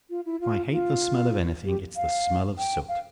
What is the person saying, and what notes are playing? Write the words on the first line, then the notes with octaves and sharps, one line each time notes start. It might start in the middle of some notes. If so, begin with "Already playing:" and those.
If I hate the smell of anything, it's the smell of soot.
F4
E4
F4
F4
G4
F5
G5
F5